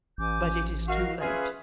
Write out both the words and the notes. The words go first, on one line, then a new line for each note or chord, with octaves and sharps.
But it is too late.'
A1 G#5 D6 G6
F#4 A#4 D#5 F5
C#4 F4 G#4 B4 E5